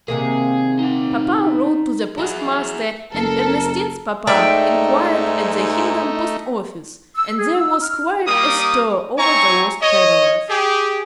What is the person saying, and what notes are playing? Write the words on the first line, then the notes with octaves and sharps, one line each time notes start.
Papa wrote to the postmaster, and Ernestine's papa inquired at the Hingham post-office, and there was quite a stir over the lost travellers.
C3 D#3 A#3 G#4
D#4 F#5
F#3 E4 F#4 G#4 D#5
F#1 A4 A#4
G#2 A3 D#4 D5 E5 G5
E6
G#4
E6
F6
G3 A#3 D#6
C4 E4 C#5 G#5 A#5 C#6
C#5 D#5
G4 G#4